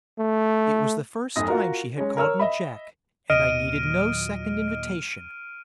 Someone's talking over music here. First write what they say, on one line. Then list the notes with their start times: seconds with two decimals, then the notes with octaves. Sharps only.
It was the first time she had called me 'Jack,' and I needed no second invitation.
0.19 A3
1.36 F1 B1 D#6 A#6
1.48 F4 F#4 A#4
1.98 G#3 C#4
2.17 A#4 C#5 E6 F6
2.39 D#5 E5 B5
3.30 D#2 A#2 F#3 D#5 F6 D7 D#7